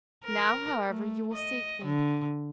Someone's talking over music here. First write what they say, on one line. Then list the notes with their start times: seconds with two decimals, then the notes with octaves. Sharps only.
Now, however, you will seek me.
0.24 A#4
0.88 A3
1.33 D#5
1.85 D3